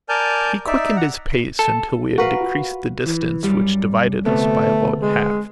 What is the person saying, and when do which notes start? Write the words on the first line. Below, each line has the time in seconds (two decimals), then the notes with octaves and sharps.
He quickened his pace until we had decreased the distance which divided us by about half.
0.09 A#4 D5 G#5 A5 F6 G6
0.67 D#4 D5 E5
0.97 F#5 A#5
1.59 A4
2.18 F#4 A#4 B4 F5
2.41 F4
3.06 E3
3.43 F#2 G3
4.25 D2 C3 A3 B3
5.02 G#3